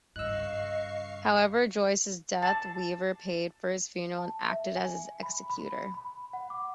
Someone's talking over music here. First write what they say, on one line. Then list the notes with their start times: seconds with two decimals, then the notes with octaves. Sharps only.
However, on Joyce's death, Weaver paid for his funeral and acted as his executor.
0.16 G2 C#3 D#5 F5 C#6 E6 F#6 C7
2.43 A5
4.18 A5
4.50 E5
4.76 G#5
5.23 B5
5.50 B5
5.94 B5
6.33 F#5
6.50 D6